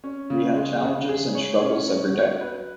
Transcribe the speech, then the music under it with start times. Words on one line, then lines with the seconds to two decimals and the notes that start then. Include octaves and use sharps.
We have challenges and struggles every day.
0.04 C#4
0.30 C#3
0.56 G#3
0.83 C#3
1.09 G#4
1.35 C#5
1.62 C#4
1.88 F#3
2.14 F#4
2.41 B4